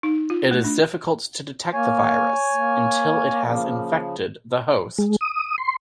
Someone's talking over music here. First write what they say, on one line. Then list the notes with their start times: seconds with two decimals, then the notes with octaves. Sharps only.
It is difficult to detect the virus until it has infected the host.
0.03 D#4
0.30 F4
0.51 A3
0.64 D4
1.73 A#3 C#5 G#5
2.53 A#3
3.45 C#3 F3
4.98 G#3
5.21 D#6
5.58 C6